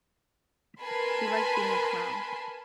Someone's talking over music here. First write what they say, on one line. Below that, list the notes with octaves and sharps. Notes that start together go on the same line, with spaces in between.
He liked being a clown.
A#4 B4 G#5 A5 B5 C6